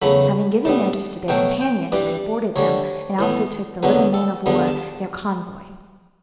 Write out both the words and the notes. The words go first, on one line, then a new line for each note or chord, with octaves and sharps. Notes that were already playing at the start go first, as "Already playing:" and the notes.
Having given notice to their companions, they boarded them, and also took the little man-of-war, their convoy.
E2 C#3 F#3 A3 B5
A2 G3 B3 A5
B2 F#3 A3 G5
G5
G2 E3 G3 D5
D2 D3 G3 C#5
A2 E3 B3
E2 D3 F#3 B3 B4
A4
E2 D3 G3 B3
A5